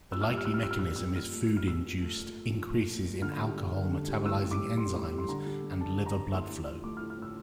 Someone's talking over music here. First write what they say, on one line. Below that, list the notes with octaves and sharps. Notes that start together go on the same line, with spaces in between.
The likely mechanism is food-induced increases in alcohol-metabolizing enzymes and liver blood flow.
A#2 E6
F6
G3 E6
F6
G3 E6
F6
A#2 E6
F6
A#2 E6
F6
G3 E6
A#2 F6
A3
A3
F6
A#2 E6
A#2
A3
A#2
A#2
F3
A3
A#2
A#2
D3 F6
G3
G3
D3
D3
G3
A2 E6
G3
D6
G3
A2 C6
A2
G3
C6
D3 A#5
G3
G3
D3 A5
D3
A#5
G3
A2 C6
A2
F3
A3 D6
F6
A2
F6
A2 E6